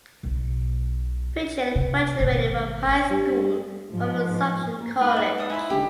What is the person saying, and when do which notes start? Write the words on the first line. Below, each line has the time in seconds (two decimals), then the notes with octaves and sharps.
Pichet graduated from high school from Assumption College.
0.23 B1 B2
1.76 C3
2.20 G#1 B2
3.10 G2
3.91 G#2 F3
4.80 A#3
5.01 G#2 B4
5.16 D#5 E5 F#5
5.38 A4 D#6
5.50 G#2 E4 G#5 C6
5.70 D#1 D3 G#3 G4